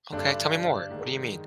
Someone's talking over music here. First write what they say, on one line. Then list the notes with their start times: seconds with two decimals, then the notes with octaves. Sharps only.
Okay, tell me more, what do you mean?
0.12 G2 D3 G3 D4
0.89 G#2 D#3 G#3